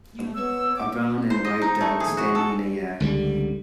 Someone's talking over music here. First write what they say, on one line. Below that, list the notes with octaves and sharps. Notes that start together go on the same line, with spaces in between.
A brown and white dog standing in a yard.
B3 C#5 E6
F#5 G5 D6
C5
D#5
D#4
A3
G#4
F#4
A4
C#2 D3 G3